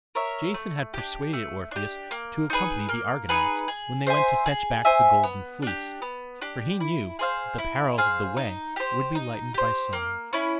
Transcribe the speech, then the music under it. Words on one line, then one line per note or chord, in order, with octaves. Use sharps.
Jason had persuaded Orpheus to accompany the Argonauts when they went to fetch back the golden fleece, for he knew that the perils of the way would be lightened by song.
A#4 C#5 E5
A3
D4 G4
A3
D4 G4
A#3
D#4 G#4 B4
A#3
D#4 G#4 B4
G#4
C5 E5 G#5
G#4
C5 E5 G#5
B3
D4 G4
B3
D4 G4
E4
G#4 C5 F5
E4
G#4 C5 F5
D#4
G4 C5
D#4
G4 C5
A#3
C#4 E4